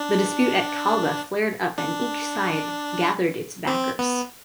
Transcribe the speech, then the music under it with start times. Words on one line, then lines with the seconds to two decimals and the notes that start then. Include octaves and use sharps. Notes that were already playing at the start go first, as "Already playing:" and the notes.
The dispute at Kalba flared up and each side gathered its backers.
Already playing: D4
1.78 D4
3.67 C4
3.99 B3